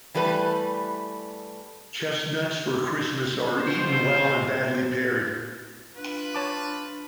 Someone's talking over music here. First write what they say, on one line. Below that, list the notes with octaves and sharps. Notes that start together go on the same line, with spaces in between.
Chestnuts for Christmas are eaten well and badly paired.
E3 G3 A3 B4
D#2 B2 F4 C5
D4 F4 B4
C#5 A5 D6